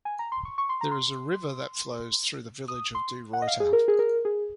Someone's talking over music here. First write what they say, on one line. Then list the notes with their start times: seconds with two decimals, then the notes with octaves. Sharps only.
There is a river that flows through the Village of DeRuyter.
0.05 G#5
0.19 A#5
0.32 C6
0.45 C#6
0.58 C#6
0.69 C6
0.81 A#5
0.91 C6
2.68 D#6
2.95 C6
3.33 F#5
3.42 D#5
3.47 F5
3.60 G#4
3.73 A#4
3.88 G#4
3.99 A#4
4.25 G#4